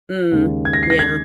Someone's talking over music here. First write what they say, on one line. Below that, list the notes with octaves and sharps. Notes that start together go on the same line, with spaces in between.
Mm. Yeah.
D#2 C#3 G#3
G#6
A#6
C7
A#6
G#6